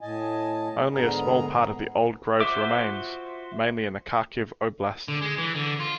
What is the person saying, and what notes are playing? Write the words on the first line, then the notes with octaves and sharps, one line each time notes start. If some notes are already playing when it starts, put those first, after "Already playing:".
Only a small part of the old groves remains, mainly in the Kharkiv Oblast.
A2 D#5 G#5 A5
G#2 D3 B3 G#4 A#4 A#5
F4 F#4 C5 E5 D6
D3
G#3
E3
D3
F4